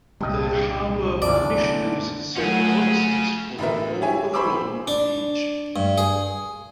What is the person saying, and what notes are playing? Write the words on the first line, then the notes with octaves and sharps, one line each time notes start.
The Harbor Commissioners set policies for the Port of Long Beach.
C2 G2 A#2 G3 D#5
B1 E2 D3 D4 D5
F#3 A3 C#4 F4 G#4 F#5
A1 D3 A#4 B4 E5
G4 G#4 C#5 E5 G#5
G#4 C5 B5 C#6 D6 E6
D4
G2
G#4